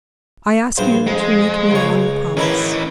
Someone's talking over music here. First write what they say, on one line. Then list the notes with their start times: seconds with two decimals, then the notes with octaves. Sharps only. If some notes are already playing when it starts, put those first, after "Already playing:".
I ask you to make me one promise.
0.77 A#1 G2 C5
1.07 F2 G#3
1.71 C#2 C#5
2.37 D#3 E3 C#4 E4 B4